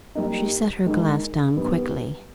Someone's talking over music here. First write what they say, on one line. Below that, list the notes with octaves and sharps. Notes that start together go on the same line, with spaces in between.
She set her glass down quickly.
G3 A#3 D#4
D#3 G#3 D#4
D#3 G3 B3